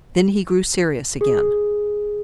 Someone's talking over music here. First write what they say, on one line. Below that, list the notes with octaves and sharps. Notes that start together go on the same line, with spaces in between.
Then he grew serious again.
G#4